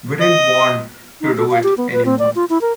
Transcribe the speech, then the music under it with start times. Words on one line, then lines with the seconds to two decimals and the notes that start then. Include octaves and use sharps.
We didn't want to do it any more.
0.21 D#5
1.21 D#4
1.37 A4
1.51 F5
1.64 G4
1.78 B3
1.92 B4
2.05 C4
2.19 D5
2.35 F4
2.50 E4
2.61 A#4